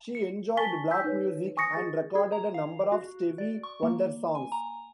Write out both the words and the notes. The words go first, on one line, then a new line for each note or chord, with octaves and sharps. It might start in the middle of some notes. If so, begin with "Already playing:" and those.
She enjoyed black music and recorded a number of Stevie Wonder songs.
C#7
G#5 A5 C#6 A6 B6 G7
G#5 E6 G6 B6
D#4 B4 C#5
G#5 C#6 D#6 A#6 C#7
G#4 D#5 A6
G#4
A#5
F5
F#4
D5
C#6
A#3
G#5
A#5